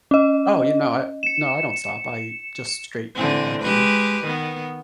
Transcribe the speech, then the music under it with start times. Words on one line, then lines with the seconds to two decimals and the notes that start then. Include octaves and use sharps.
Oh, yeah, no, I no, I don't stop, I just straight out and back, you know?
0.11 C#4 D#5
1.23 C#7 E7
3.15 D3 E3 C4
3.62 G#3 G4 B4
4.23 D#3 B3